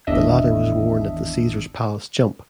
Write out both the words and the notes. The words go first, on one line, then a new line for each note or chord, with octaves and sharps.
The latter was worn at the Caesars Palace jump.
G#1 E2 D4 D#5 E5